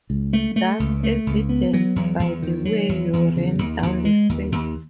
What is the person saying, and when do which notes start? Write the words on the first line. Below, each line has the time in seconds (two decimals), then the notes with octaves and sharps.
That's evident, by the way you ran down the stairs.
0.10 C#2
0.33 A3
0.56 A3
0.80 C#2
1.03 A3
1.27 C#2
1.49 B3
1.73 F#3
1.96 E2
2.19 E2
2.43 D#3
2.65 F#3
2.89 E2
3.13 E2
3.36 C#3
3.59 D#2
3.82 D#2
4.05 G#3
4.29 D#2
4.52 D#2